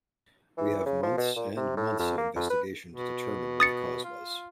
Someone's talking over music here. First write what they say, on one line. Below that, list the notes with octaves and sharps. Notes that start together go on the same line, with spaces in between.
We have months and months of investigation to determine what the cause was.
E3
C#3
F3
B2
A#2
C3
A2
F2
A#3
F2
B4
B2
D#6 A6 C#7
F4